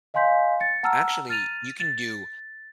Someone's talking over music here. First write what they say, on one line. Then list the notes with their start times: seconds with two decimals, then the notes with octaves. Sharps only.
Actually, you can do
0.14 D#5 F5 G#5 C6 G6 B6
0.60 A6 C#7
0.83 F#5 A5 A#5 E6 F6
1.29 F6 A6 D#7 F7
1.80 A6